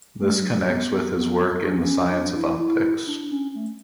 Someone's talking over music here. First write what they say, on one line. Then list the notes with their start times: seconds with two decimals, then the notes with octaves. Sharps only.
This connects with his work in the science of optics.
0.21 A3
0.31 G3
0.42 F#3
0.52 G3
0.69 B3
1.17 B3
1.64 D4
1.72 C#4
1.78 B3
1.85 C#4
2.12 D4
2.35 E4
2.59 E4
3.07 D4
3.31 C#4
3.55 A3